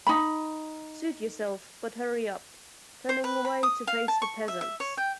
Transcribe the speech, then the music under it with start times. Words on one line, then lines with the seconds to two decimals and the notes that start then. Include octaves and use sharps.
Suit yourself, but hurry up. - Turning away to face the peasants.
0.07 D#4 B5
3.09 C5
3.24 B4
3.45 B5
3.63 D#6
3.87 F5
4.08 A5
4.22 C#6
4.48 E5
4.61 E5
4.80 C#5
4.97 G5